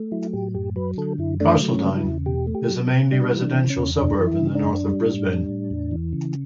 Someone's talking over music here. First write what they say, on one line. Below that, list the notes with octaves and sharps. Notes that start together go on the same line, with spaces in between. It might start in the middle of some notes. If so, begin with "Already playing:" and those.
Carseldine is a mainly residential suburb in the north of Brisbane.
Already playing: A3
F#3 E4
A2 G4
F#2 G4
F#3 B4
D3 A4
F#2 E4
A3 D4
F#3
C#4
C#3
E4
E2
B2 G4
A3
G4
F#3
B2
G3 D4
E3
D4
C#3
C#4
E2
F#2 D4
E3
E4
C#3
D4
F#2
G3
A2
G3
A2
E2
E3
C#3